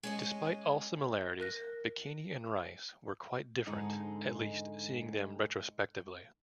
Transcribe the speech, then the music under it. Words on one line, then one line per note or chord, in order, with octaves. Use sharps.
Despite all similarities, Bikini and Rice were quite different, at least, seeing them retrospectively.
G#3 C#4 D#5
A#4 F#6 A#6
F2 G#2 D3 G#3 D#4